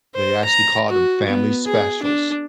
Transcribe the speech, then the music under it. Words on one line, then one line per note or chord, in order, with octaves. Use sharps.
they actually called them family specials.
C5
A#5
F#4
B3
G#4
D4